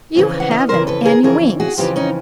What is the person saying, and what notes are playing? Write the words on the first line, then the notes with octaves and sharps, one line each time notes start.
"You haven't any wings."
F2 C#3 E3
F#5
D#5 F5
F2 C#3 E3 A#4 C5
A4 B4
G#4 A#4
F2 C#3 E3 G#4 A#4
F#4 G#4
F2 C#3 E3 F4 G4
C#4 D#4